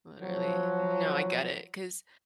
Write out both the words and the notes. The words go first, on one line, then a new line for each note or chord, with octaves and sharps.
Literally. No, I get it, 'cause
F3 F#3